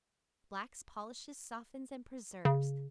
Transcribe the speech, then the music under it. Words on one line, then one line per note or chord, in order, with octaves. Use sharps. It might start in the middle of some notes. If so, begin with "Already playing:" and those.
Blacks, polishes, softens and preserves.
C#3